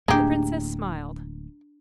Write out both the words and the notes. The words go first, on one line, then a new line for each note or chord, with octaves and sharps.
The princess smiled.
D1 A2 G#3 A#3 D4 G4 A#5